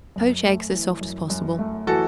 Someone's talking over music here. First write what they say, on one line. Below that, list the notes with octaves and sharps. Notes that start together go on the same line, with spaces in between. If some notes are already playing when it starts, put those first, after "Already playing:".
Poach eggs as soft as possible.
F#2
A3
E3
F#2
F#2
A3
E3 F#4 A4